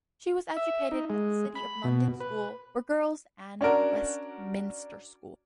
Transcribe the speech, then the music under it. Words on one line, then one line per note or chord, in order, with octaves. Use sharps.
She was educated at the City of London School for Girls and Westminster School.
E5
D#4
G#3
B5
B2
B4
C#4 D4 F#4 A#4